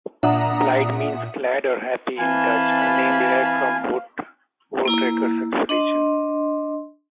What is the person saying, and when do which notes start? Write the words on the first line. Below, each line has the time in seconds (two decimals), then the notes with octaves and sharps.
Blyde means "glad" or "happy" in Dutch, a name derived from a voortrekkers' expedition.
0.23 A#2 D4 E5 F#5 A#5 D#6
2.19 E3 C4 F5 G#5 A5 B5
4.85 A#3 E4 A#5
5.69 D4 D#5 C6